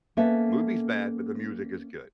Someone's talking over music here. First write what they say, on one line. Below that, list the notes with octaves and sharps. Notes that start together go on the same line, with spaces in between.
Movie's bad, but the music is good."
A#3 B3 C#4 A4 B4 E5